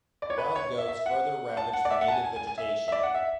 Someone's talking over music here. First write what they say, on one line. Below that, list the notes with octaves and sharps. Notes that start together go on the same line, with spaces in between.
Wild goats further ravaged the native vegetation.
D5
C#5
B4
C#5
E5
E5
F#5
A5
F#5
D5
E5
F#5
A5
G#5
G#5
G#5
G#5
E5
E5
D5
F#5
E5